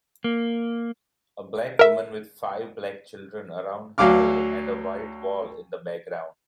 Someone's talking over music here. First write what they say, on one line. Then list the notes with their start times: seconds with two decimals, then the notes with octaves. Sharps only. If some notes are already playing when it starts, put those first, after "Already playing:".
A black women with five black children around her and a white wall in the background.
0.24 A#3
1.79 A#4 E5
3.98 D2 F#3 F5 D6 F6